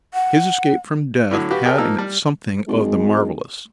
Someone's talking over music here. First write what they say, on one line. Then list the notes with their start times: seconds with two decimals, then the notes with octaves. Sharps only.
His escape from death had in it something of the marvellous.
0.14 F#5
1.31 A2 D3 F#3
1.50 F#4 G4 B4 F5 F#5
1.65 G4 G#4 A#4 D5 G5 A5
1.78 F3 A#3 D#4 A5 E6
1.98 G3
2.68 G#1 G#3